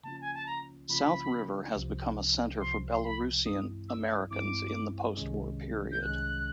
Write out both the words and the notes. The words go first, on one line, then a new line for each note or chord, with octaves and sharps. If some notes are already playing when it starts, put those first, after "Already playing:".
South River has become a center for Belarusian Americans in the postwar-period.
C#3 F3 A#3 C#4 F4 A5
G#5
A5
A#5
C#3 F3 A#3 C#4 F4 B5
C2 C3 F3
C2 C3 F3 C6
C6
B5
G2 E3 G#3 C4 E4 D#6
E6
G2 E3 G#3 C4 E4 D6
C2 C3 D#3 G#3 C#4
G6
C2 C3 D#3 G#3 C#4 F#6